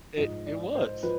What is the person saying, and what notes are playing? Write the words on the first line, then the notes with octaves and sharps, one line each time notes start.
it it was.
G#2 F3 D#5
D5
C5
F3 B4